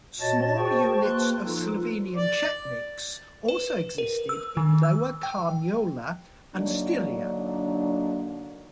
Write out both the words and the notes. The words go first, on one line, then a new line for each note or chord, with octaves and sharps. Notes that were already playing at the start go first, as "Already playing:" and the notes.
Small units of Slovenian Chetniks also existed in Lower Carniola and Styria.
A#2 F#4 C#5 D#5 A5 A6
F#4 G#4 C5 G5 A5 C#6
A#3 B4 C6 F#6
F3 D#4 F4 A4
D5
B4
A#4
E6
D#3
E6
G5
D3 F#3 A#3 D4 D#4